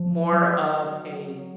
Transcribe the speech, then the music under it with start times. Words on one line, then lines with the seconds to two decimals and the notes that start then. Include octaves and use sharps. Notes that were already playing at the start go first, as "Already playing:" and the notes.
more of a,
Already playing: F3
0.32 F#3